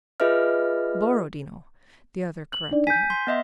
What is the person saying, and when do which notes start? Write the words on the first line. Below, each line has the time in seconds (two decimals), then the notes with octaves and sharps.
"Borodino," the other corrected him.
0.20 F4 G#4 B4 D#5 E5 F6
2.53 F#7
2.71 D4 D#4 D5
2.87 G#5 G6 B6
3.10 C6
3.27 B3 D#5 E5